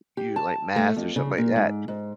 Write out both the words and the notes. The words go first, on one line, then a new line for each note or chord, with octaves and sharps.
you like math or something like that
G4
A5
A3
F2
C#3
A#2
G#2
G#2